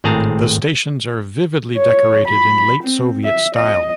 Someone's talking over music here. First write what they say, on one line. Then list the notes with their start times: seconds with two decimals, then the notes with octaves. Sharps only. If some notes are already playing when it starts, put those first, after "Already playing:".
The stations are vividly decorated in late-Soviet style.
0.04 G#1 A2 C4 G#4 A5 A#5
1.76 C#5
2.27 B5
2.83 C4
3.24 E5
3.55 D#5